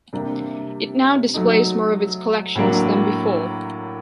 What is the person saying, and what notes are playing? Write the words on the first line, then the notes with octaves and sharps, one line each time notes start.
It now displays more of its collections than before.
C3 G3 A#3 D4
F#3 A3 D#4
A2 F#3 A#3 D4